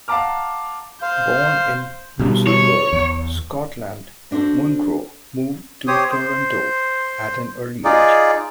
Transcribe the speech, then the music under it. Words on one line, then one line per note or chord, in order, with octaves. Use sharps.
Born in Musselburgh, Scotland, Munro moved to Toronto at an early age.
F5 F#5 A5 A#5 D6 F6
C5 F5
B2 G3
C#5
E2
C4 D4 F#4 A4 C5
G4 C5 C#5 D#6
C5
D#4 F4 G#4 D5